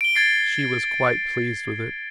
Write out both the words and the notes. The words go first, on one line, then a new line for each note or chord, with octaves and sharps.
She was quite pleased with it.
D7 G7
G#6 A6 C7